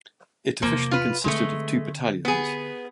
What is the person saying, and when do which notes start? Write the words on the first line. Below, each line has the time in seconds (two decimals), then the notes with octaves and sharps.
It officially consisted of two battalions.
0.62 E2 C3 F3 A#3
0.91 F4 B4
1.24 D3 G#3 A3 C4
2.25 B3 G#4